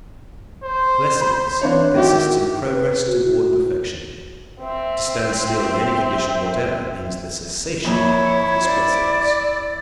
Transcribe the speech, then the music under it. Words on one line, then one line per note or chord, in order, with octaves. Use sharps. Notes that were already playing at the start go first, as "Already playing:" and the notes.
Blessedness consists in progress toward perfection; to stand still in any condition whatever means the cessation of this blessedness.
C5
B5
E3 D4 C#5
D#3 E4 F#4 G4
B4
F#4
C4 E5
F2 A#2 E4 C#5
C5 D5